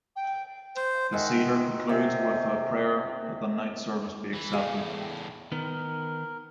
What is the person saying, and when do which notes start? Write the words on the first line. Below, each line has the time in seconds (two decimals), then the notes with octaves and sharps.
The Seder concludes with a prayer that the night's service be accepted.
0.16 G5
0.76 C5
1.12 D#3 G#3 E5 F#5
1.89 C3
4.34 E3 E4
4.53 E2 A2 G#4 F5
5.52 D#3 B3 A#4